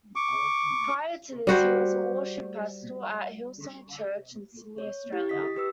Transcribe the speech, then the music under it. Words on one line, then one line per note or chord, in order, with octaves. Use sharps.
Prior to this he was a worship pastor at Hillsong Church in Sydney, Australia.
C#6 D6
G3 F#4 C5
C#5
E4 G4
D#5 D#6 B6
G4 B4 E6